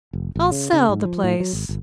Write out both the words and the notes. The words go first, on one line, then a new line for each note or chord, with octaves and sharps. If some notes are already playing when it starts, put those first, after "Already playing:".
"I'll sell the place."
F1
A1
C#3
C#3
G#2
F3
A2
F#3
G#1
G1